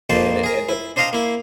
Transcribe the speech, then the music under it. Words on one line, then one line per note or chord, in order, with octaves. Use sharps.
and it and the
A#1 F2 A#3 C5 G5 A5
G#4 A#4
E4
D4 C5 D#5 F5 G5 A#5
A#3 E4